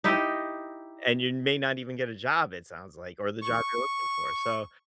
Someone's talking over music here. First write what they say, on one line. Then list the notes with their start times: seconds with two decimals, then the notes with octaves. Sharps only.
and you may not even get a job, it sounds, like, or the job you're looking for. So
0.04 D#4 E4 G4 D#5
3.42 C#6